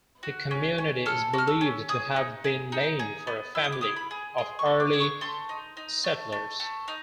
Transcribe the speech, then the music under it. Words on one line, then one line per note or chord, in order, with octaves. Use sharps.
The community is believed to have been named for a family of early settlers.
F#4
C#4
C#4
A4 F6
F#4 F6
E6
C#4
G#4 D#6
D#4
G#4
D#4
G#4
B3
E4 E6
D#6
D6
E4 D#6
B5
G#4
G#4 C6
C#6
A3
D6
G#4
C#6
A3 C6
D#4
D#4
A3
A3
A3
D#4